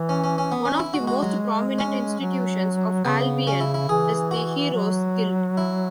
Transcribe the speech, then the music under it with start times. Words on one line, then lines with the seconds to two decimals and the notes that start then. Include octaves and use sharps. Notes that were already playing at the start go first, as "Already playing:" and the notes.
One of the most prominent institutions of Albion is the Heroes' Guild.
Already playing: E3
0.09 C#4
0.24 C#4
0.38 C#4
0.52 B3
0.65 C#4
0.79 E4
0.94 G#3 F#4
1.07 F#4
1.23 F#3
1.79 C#4
2.20 F#3
3.04 C#3 B3
3.47 C#4
3.61 E4
3.74 E4
3.89 E3 G#4
4.31 F#4
4.73 F#3
5.57 E4